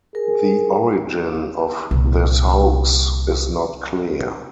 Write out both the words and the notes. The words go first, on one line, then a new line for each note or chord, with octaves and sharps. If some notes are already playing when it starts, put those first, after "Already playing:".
The origin of this hoax is not clear.
G#4 A#4
C2 A#2